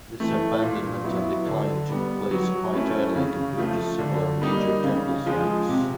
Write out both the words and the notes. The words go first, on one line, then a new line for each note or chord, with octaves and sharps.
This abandonment and decline took place quite early compared to similar major temple sites.
E3 A3
A#2
F#3 B3 E4
D3
G3 B3
F#3
A3 C#4 E4
C#3
F3 A3
D3
G3 A#3 D#4
C#3
F3 G#3
C3